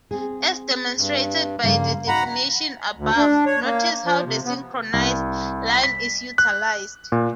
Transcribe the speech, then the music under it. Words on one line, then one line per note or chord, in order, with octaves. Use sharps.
As demonstrated by the definition above, notice how the "synchronized" line is utilized.
C4 G#4
G2
G2 C#3 F3 A#3
D#4 F#4 F#5 A#5 B5
D2
D4
C#5
A#3
F3
C3
B3
C2
B6
F#6
A#2